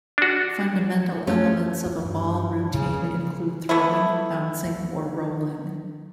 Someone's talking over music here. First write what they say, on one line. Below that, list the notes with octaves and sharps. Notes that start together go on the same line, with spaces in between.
Fundamental elements of a ball routine include throwing, bouncing or rolling.
D4 F#4
A3 C#4
G2
C#3
A3 B3 E4